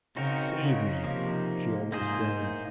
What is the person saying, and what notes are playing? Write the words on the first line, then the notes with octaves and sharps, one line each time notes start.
"Save me!" she almost groaned.
C#3 C4 D#4 F#4 A#4
C#3
C3 F3 A#3 D#4
G#2 A#3 D#4 G#4 C5
A2